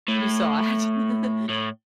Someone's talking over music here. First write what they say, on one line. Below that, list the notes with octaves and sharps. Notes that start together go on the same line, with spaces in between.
You saw it.
A2
A2